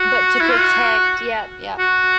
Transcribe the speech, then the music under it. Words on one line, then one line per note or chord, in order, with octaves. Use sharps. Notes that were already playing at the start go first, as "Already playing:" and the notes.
But, to protect, yeah, yeah,
Already playing: F#4
E4
F4
F#4
F#4